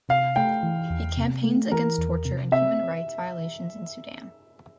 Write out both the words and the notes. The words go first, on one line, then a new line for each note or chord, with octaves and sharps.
He campaigns against torture and human rights violations in Sudan.
C3 F5
A3 G5
E3
E2
C3
A3
E3 A#4
E2
C3
C4 E5